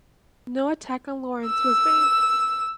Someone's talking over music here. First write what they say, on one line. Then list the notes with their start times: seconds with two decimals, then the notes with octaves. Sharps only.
No attack on Lawrence was made.
1.47 E6